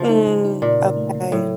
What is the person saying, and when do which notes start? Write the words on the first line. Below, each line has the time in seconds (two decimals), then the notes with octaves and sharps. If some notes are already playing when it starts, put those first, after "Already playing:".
Mm, okay.
Already playing: C#3 F3
0.09 D#4
0.27 C#3
0.44 D#4
0.62 A#2 D#4
0.79 C#3
0.97 A3
1.14 C#3
1.32 A2 F#3